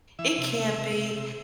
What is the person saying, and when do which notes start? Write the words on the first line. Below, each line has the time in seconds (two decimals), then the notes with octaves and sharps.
It can be,
0.19 E3 E5
0.38 C3
0.58 C3
0.78 C3
0.97 C3
1.16 C3